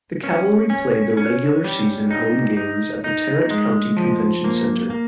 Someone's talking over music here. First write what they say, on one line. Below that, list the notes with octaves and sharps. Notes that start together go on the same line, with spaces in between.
The Cavalry played their regular season home games at the Tarrant County Convention Center.
C#4
C#4
C#4
G3
D#4
D#4
D#4
G#3
F3
A#3
A#3